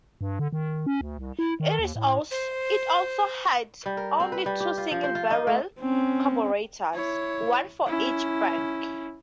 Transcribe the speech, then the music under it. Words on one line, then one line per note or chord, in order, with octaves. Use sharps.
It also had only two single barrel carburetors, one for each bank.
G2
D3
D#3
C#4
D2
C2
E4
D#3
D#2
A2
C5
G3
A#4
C4
B4
G3
G4
F4
F3
C5
F4
D#4
A3
C4 C#4
E4 C#5
C#4 E4